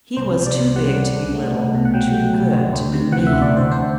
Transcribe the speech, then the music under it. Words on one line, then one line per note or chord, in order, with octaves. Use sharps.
He was too big to be little, too good to be mean.
C2 C5
C2
D5
C3
G3 F#5
C2
C2
A3
C2
B2
F#5
F#3 G5
A3
C2
D2
D2
C3
E3 F#5
E5
D2
D5
D2
C5
D4 C5